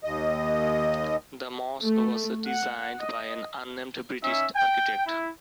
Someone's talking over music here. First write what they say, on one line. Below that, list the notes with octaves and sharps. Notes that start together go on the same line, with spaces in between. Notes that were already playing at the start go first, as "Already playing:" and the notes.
The mosque was designed by an unnamed British architect.
D#2 D#5
A3
F#5
D#5
C#4 D#4 E5
G5
E4